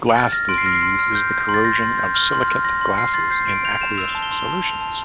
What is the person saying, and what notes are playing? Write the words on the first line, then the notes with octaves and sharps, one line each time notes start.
Glass disease is the corrosion of silicate glasses in aqueous solutions.
F6 A6
F6 A#6
C6 D7
C7
F6 A#6
C7
C6
F6
G6
G6
C6
A6
G6 A#6
C6
G6
F6
C6
F6
C6 A#6
C6
F6 C7
C6 A6
G6 C7
C6 D7
G6 F7
G6 E7
E6 F7
A5
G7
C6 F7
G7
A5
A5 F7
A5